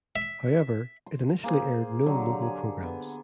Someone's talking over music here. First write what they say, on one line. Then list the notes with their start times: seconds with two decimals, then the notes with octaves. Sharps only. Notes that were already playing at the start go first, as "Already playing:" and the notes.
However, it initially aired no local programs.
0.16 E5
1.06 C6
1.43 A#3 G#4 C5
2.06 D3 F#3 G4
2.42 G#4
2.82 B3